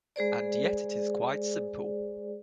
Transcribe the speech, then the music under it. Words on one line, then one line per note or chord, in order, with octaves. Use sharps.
And yet it is quite simple.
G#3 G#4 C5 D5